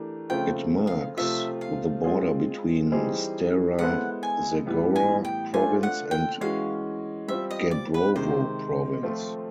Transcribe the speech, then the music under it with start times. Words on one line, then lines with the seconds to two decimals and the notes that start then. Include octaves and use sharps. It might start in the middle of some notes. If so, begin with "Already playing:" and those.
It marks the border between Stara Zagora province and Gabrovo province.
Already playing: E3 A3 D4 G4 A#4
0.30 C#3 F3 A3 C4 F4 G5
0.87 F5
1.17 C3 F3 A3 C4 F4 E5
1.61 F5
2.04 G#3 C4 F4 G#4
2.92 E3 G3 C4 D#4 G#4
3.79 G#3 B3 E4 A4 C5 F#5
4.23 G#5
4.66 A2 E3 G3 B3
4.96 G#5
5.25 G5
5.53 A3 D4 F4 A4 C5 G#5
5.83 F#5
6.11 G5
6.41 E3 G#3 C#4 F#4 F5
7.28 G3 C4 F4 E5
7.51 D#5
7.71 D5
7.94 B4
8.16 C3 D#3 G#3 C5
9.03 F3 A3 C4 F4